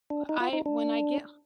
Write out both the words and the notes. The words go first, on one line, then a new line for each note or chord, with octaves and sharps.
I when I get h
D4
D#4
F4
D#4
D4